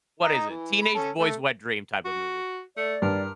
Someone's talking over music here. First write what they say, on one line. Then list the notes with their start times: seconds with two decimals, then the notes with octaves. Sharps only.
what is it? Teenage boys' wet dream type of movie.
0.24 D#5 A#5
0.49 E3
0.82 B5
0.95 C#4 A4
1.19 A3
2.05 F#4
2.77 A3 D5
3.02 G2 A#4